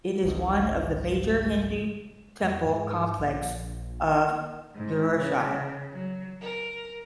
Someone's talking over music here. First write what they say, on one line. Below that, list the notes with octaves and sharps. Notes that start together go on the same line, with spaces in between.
It is one of the major Hindu Temple complex of Gujarat.
G#1 C#2 G#2
E2
G#2
A#1
A#3
G#2
C#3
F#3
A#4